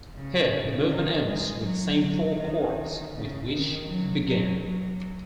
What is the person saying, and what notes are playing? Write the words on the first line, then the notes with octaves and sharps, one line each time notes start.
Here, the movement ends with the same four chords with which it began.
C#3
D#3
G#3
F#3
D#3
C#3
D#3
F#3
F#3
F#3